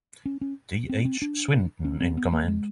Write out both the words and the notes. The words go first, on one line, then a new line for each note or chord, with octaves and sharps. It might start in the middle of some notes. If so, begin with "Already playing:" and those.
D. H. Swinson in command.
C#4
C#4
C4
C4
D4
C#4
C4
B3
A#3
G#3